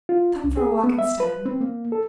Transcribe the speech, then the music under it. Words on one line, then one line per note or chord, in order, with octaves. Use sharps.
'Come for a walk instead.
F4
C2
G#4
B3
E5
B4
C4
A#3
A4